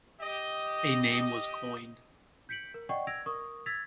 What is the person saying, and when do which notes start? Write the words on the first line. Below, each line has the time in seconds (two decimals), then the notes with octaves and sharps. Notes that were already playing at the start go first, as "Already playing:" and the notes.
A name was coined.
0.21 G4 D#5
2.49 G6 B6 C#7 D7 F#7
2.74 A#4
2.89 D5 D#5 F#5 G5 C#6
3.07 E6 G#6 A#6 D7 F7
3.26 A#4 C#6 D#6
3.66 E6 G#6 A6 B6 F7